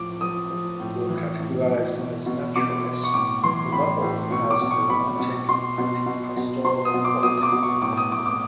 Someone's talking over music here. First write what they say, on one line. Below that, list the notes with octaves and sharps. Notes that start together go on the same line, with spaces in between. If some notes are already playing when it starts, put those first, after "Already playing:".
Though categorized as naturalist, the novel has a romantic, anti-pastoral quality.
Already playing: A2 F3 D6
F3 D#6
F3
A2
E3
A2
E3
B2
B2
B2 D6
B2
C#6
A2 D6
E3 C6
A2 B5
A2
B2 C#6
D6
B2
C#6
B2 B5
B2
B2 C6
B2
B2
B2
B2 C6
D#6
B2
D6
B2 D#6
D#6
D6
B2
C#6
A2 D6
D#6
A2 D6
D6